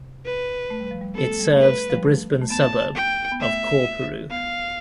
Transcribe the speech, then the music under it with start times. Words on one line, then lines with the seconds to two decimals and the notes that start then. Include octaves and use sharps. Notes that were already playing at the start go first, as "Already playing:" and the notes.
It serves the Brisbane suburb of Coorparoo.
Already playing: C3
0.25 B4
0.70 A3
0.80 G3
0.91 F3
1.01 G3
1.15 B3 A4
1.28 A3
1.40 G3
1.53 A3
1.61 B4
1.90 F3
1.97 G3
2.05 A3
2.42 A3
2.50 B3 A5
2.96 G5
3.32 B3
3.40 A3 E5
4.30 B3 F5